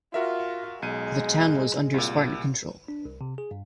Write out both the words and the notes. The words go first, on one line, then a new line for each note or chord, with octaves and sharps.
The town was under Spartan control.
F4 F#4 A#4 E5
B1 G#3 D#7
C2 A#2
D4
C2
C3
G#4
G2